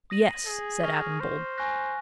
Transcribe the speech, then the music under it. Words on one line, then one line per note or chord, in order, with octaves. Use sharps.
"Yes," said Adam boldly.
D#6 A#6 D#7 F#7
G#4
C#6 F6 A#6 F7
C5
G#5 C#6 F#6 A#6